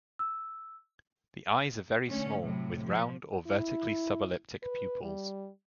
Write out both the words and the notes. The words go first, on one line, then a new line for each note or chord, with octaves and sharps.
The eyes are very small, with round or vertically subelliptic pupils.
E6
D3 A3 C#4
A2 C3 F#3
F3
E4
B4
G3